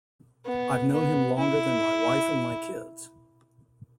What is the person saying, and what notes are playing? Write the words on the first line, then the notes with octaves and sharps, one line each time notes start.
I've known him longer than my wife and my kids.
B3
B3
E4